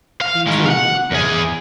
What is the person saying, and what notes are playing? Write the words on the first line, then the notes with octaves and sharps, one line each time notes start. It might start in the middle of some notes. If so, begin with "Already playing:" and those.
He too, looked down.
F5
D#3 G#3
F5 F#5
E2 G#4